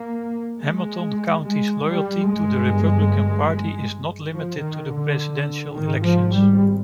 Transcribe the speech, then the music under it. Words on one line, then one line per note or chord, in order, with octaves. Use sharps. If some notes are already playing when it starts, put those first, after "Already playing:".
Hamilton County's loyalty to the Republican Party is not limited to presidential elections.
Already playing: A#3
G#3
G#3
G3
G1 G2 G#3
F3
D#3
D3
G#1 G#2 D#3
F3
G3